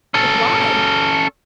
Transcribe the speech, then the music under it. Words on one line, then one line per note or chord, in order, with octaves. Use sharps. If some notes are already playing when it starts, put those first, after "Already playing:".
But why?
C#4 A4